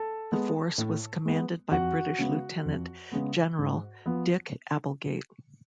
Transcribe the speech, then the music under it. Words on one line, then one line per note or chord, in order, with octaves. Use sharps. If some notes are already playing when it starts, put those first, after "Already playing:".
The Force was commanded by British Lieutenant General Dick Applegate.
Already playing: A4 A5
G#3 B3
A2
G#3 B3
F2 F#4 F#5
C#3 G#3 B3
F2
C#3 G#3 B3
G#2
F3 B3